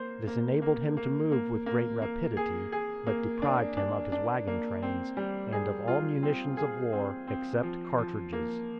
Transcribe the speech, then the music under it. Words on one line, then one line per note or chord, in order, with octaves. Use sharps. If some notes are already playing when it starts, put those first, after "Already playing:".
This enabled him to move with great rapidity, but deprived him of his wagon trains, and of all munitions of war except cartridges.
Already playing: A#3 C5
A#3
A#3
A#3
A#3
A#3
A#3
G#4
G#4
A#3
D4
D4
D4
A#3
C4
G3
G#4
F4
C4
G#4
C4
C4
F3
F3
A#3